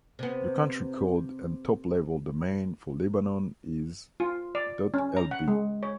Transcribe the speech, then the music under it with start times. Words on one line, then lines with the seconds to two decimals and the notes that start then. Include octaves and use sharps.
The country code and top-level domain for Lebanon is ".lb".
0.19 C3 B3
4.20 F4
4.55 D5
4.94 C#4
5.17 A#5
5.31 F#5
5.48 G#3
5.83 C#5